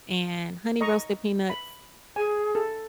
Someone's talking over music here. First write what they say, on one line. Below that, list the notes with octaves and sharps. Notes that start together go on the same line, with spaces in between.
and honey roasted peanuts.
D#5 A#5 C#6
B5
G#4 G#5
A4